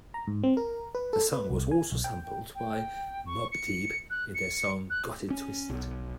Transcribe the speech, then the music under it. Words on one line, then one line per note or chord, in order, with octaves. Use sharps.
The song was also sampled by Mobb Deep in their song "Got It Twisted".
A#5
G#2
C4
A#4
B4
A4
B4
C2
G#5
B1
G5
G5
C#6
C#7
F#6
C#7
F#6
C#4
B1